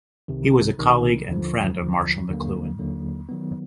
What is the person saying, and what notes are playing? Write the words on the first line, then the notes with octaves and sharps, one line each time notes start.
He was a colleague and friend of Marshall McLuhan.
C2 C3 D#3
C2 C3 D#3
D#2 D3 F3
D#2 D3 F3
D#2 D3 F#3 A#3
D#2 D3 F#3 A#3
D#3 F#3 B3